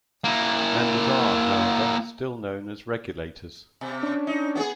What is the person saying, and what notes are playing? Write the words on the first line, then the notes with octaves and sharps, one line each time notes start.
Members are, however, still known as "Regulators".
A#3 E4
B2
C#4 D4
D#4
B3 F4 G#4